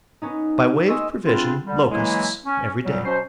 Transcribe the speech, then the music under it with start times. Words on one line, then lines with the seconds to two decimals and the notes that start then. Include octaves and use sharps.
By way of provision, Locusts, every day.
0.22 B3 C#4 D#4
0.88 D#5 G#5 C6 C#6 E6
1.24 C#3 B3 C4 D4 F4
1.65 D3 G3
1.90 E3 F#3 G#3 A#3 E4
2.46 C#4
2.84 A#2 F#3 G3
3.05 B2 F#3 C#4 C5